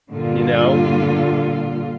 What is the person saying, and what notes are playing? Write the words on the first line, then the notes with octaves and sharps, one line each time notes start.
you know, i
G2 A#2 D3 F4